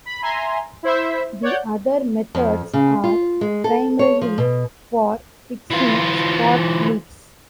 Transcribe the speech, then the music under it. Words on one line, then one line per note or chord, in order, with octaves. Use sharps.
The other methods are primarily for fixing spot leaks.
B5
E5 G#5 A#5 C6
E4 C5 E5
C#5 D5 F#5 G6
F2
C#3
F4
G#3
A4
C#5
F3
B2
E3 F4